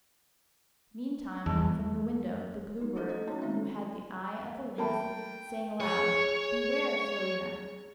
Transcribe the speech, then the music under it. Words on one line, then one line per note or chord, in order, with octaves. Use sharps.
Meantime, from the window the Blue Bird, who had the eye of a lynx, sang aloud, "Beware, Florina!"
E2 G3 A5
D#4
A3 C#4 E4 F#4 A4 D#5
F#4 C5 D#5
A#3 C#4 D#4 C#5
D#3 G#3 C4 C#4 D#4 E5
A3 A#3 A#4 G5 A5 B5
G#4 C#5